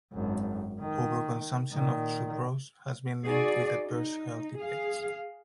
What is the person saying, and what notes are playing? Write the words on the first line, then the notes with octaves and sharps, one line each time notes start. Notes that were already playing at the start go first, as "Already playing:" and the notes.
Overconsumption of sucrose has been linked with adverse health effects.
G#1 F#2
D#3
A#2 D#3
D#4 F#4 G#4 D5
D#4
G#4 F5